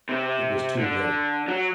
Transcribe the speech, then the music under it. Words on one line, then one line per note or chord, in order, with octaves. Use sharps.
It was too late.
C3
D3
F#3